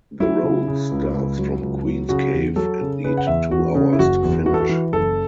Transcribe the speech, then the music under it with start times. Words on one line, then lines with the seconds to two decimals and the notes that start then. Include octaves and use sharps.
The road starts from Queen's Cave and need two hours to finish.
0.20 F#3 E4
0.43 C#3
0.68 C#3
0.91 C#2
1.14 C#2
1.38 F#3
1.61 C#2
1.85 F#3
2.09 C#3 F#4
2.34 E2
2.56 F#3 A4
2.81 C#3
3.04 C#3 B4
3.17 F#5
3.27 E2 E5
3.51 E2 F#4
3.74 C#3 C#4
3.93 E4
3.99 F#1 F#4
4.23 E2
4.46 E3 F#4
4.54 A4
4.60 F#4
4.69 E3
4.92 F#1 A4